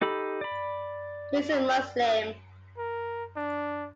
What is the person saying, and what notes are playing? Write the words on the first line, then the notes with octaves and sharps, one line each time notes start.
He is a Muslim.
D#4 G4 A4 B5
D5 B5
A#4
D4